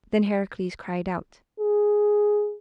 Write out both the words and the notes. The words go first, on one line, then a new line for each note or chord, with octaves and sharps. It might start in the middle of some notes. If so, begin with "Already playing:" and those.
Then Heracles cried out.
G#4